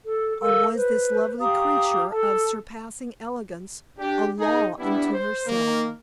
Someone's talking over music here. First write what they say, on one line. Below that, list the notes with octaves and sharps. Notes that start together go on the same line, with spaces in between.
Or was this lovely creature of surpassing elegance, a law unto herself?
A4
A4 A#4 F5 E6
B4 C5
G4 F5 A#5 D#6
A4 A5
D4 G4
D#4 G#4
G3 B3 D4 E4
C5
D#3 A#3